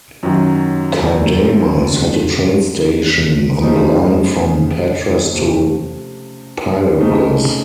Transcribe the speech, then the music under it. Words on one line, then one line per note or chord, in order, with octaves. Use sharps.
Kardamas had a train station on the line from Patras to Pyrgos.
F#2 D#3 F#3
F2 C#3 F#3 C4
C#3 F3 A3 D#4
C3 F3 A3
C#3 A3 C4 D#4